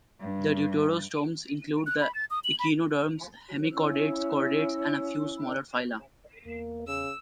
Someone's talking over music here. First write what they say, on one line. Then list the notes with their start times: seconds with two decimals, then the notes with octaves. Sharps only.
The deuterostomes include the echinoderms, hemichordates, chordates, and a few smaller phyla.
0.21 G2
1.86 F#6
2.01 B5
2.15 A6
2.31 D#6
2.44 F#7
2.59 B5
3.72 C#4 E4 E6
6.45 E2 A#3
6.87 C#3 E6